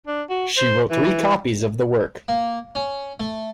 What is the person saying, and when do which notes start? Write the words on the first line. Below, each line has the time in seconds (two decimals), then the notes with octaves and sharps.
She wrote three copies of the work.
0.07 D4
0.29 F#4
0.57 C5
0.90 E3
2.28 A#3
2.75 C#4
3.20 A3